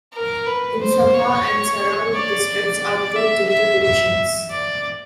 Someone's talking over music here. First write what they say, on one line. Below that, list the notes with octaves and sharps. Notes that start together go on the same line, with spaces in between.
In Sabah and Sarawak districts are grouped into "Divisions".
A#4
B4
C5
C#5
D5
E5
E5
E5
D5